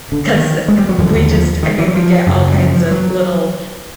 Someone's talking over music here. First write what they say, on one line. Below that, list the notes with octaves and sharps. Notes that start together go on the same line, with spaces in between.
'cause, eh, eh, we just I mean, we get all kinds of little,
D3
D#3
G#3
G3
F#3
D#2 D3 F3
F#3
F3
D#3
E3
F#3
F3
F#2 C#3
F#3
F3
F3
F#3